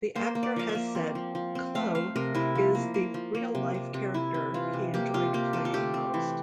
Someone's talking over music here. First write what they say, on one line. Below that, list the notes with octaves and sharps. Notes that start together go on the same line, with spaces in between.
The actor has said Clough is the real-life character he enjoyed playing most.
A#3 C5
A#3
D5
F3 F5
E5
A#3
C4
F3
F3
C4
A3 F5
A3 F5
C3 A#4
C3 E4
F3
A#3
A#3
F3
A#3
C3
C3
C3
C3 E4
C3
E3 F4
C3
A#3 G4
C3 F4
A#3 G4
C3 A4
F4
A3 G4
C4
E3